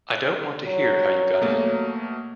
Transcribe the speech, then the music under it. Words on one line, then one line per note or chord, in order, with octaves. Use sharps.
I don't want to hear how you got in.
F#3
B2 A3 A#3